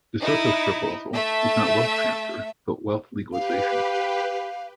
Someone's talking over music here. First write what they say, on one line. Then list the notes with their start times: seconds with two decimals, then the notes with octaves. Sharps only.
De Soto's proposal is not wealth transfer, but wealth legalization.
0.20 D#4 E4
1.14 A3 E5
3.33 G4 B4 F5